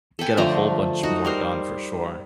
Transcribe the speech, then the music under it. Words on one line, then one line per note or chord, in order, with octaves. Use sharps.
get a whole bunch more done for sure,
A4 B4 G5 G#5
D3 F3 A3 A#5
D#4 F#4
G3 A#4 C5